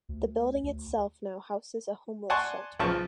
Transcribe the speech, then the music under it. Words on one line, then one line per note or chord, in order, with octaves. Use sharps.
The building itself now houses a homeless shelter.
D2
D2
D5 F#5 G#5 A5 C6 C#6
B1 C#3 F3 F4 A5 C#6